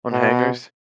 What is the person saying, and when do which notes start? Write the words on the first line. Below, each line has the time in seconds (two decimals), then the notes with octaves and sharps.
On hangers?
0.12 B2